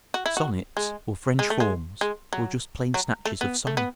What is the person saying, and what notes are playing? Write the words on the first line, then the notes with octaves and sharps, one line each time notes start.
"Sonnets, or French forms, or just plain snatches of song?"
F#4
E4
F#4
G#3
G#3
A3
G#3
G#3
F#3
F#3
A3
B3
A3
B3